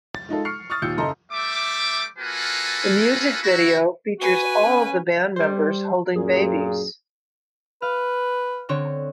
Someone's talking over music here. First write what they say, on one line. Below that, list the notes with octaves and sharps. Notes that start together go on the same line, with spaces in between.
The music video features all of the band members holding babies.
A6
G#3 D#4 F4 A4
C#6 F6 C7 C#7
C#6 D#6 F6 A6
D#2 A#2 E6 G6 C#7
F#1 C#3 A4 D#5 A#5 C6
G3 A3 E5 D6
A#3 F4 F#4 A4 B4 G#5
E4 F#4
F#4 B4 G#5
C#4
G3 C5
F#2 A#2 G#4
B4 F5
D3 C4 C#5